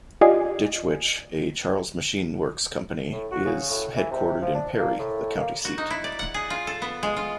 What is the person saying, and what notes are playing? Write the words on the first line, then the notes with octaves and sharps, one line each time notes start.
Ditch Witch, a Charles Machine Works company, is headquartered in Perry, the county seat.
F4 G4 D5 D#5 G#5 C7
A2
F#4
C#3
A2
E3
C3
F3
D4
A#3
A2
A#3
F#4
D#4
E4
D5
F#5
G#4
F4
A4
B3
G#3
F4